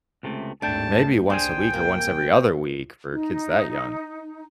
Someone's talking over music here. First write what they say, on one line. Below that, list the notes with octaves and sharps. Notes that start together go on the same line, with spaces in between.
Maybe once a week or once every other week for kids that young.
C#2 C3 A3
G#1 D#2 A2 A3 D4 G5 A5
C2 D4 G#4 C5 G5 G#5
A#3
D#4